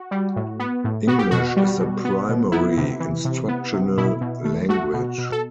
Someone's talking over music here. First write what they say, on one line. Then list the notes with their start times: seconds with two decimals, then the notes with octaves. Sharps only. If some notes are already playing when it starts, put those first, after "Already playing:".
English is the primary instructional language.
Already playing: F#4
0.11 G3
0.36 A2
0.59 B3
0.84 A2
1.07 B3 F#4
1.19 G4
1.31 B2 F#4
1.56 G3
1.80 B2
2.05 B3
2.29 B2
2.52 B3 E4
2.77 C3
3.00 E3
3.25 C3
3.48 B3
3.73 C3
3.98 B2 E4
4.21 B2
4.45 A3
4.69 A3 F#4
4.94 B2
5.18 B2
5.32 A4